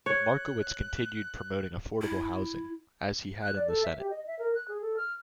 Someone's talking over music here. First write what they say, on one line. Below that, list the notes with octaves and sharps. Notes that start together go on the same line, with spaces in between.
Markowitz continued promoting affordable housing, as he had in the Senate.
C#5 F#6
E4
F#6
D5
A4
E5
G4
D#5
E5
A#4
F#6
G#4
A4
F6